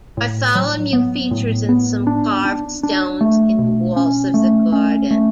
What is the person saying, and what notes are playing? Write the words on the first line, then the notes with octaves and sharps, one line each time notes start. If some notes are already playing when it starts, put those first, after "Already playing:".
Bartholomew features in some carved stones in the walls of the garden.
A2
F#3
B3
A2
B3
D4
D4
D4
A3
B2
C#4
A3
C#4
A3